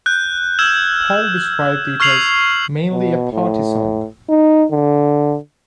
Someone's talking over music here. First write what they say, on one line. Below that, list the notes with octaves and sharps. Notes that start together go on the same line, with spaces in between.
Paul described it as ...mainly a party song.
F#6 G6
E6 F6 G#6 E7 F#7
C#6 F6 G#6 C7 F7 F#7
B2
A2
D#4
D3